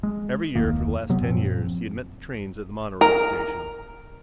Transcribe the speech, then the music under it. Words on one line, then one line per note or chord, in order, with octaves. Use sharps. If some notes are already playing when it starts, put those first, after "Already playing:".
Every year, for the last ten years, he had met the trains at the monorail station.
G#3
D1 F2 D#3 A#3
C3 F#3 B3
F#2 A#2 F3 C4
A#4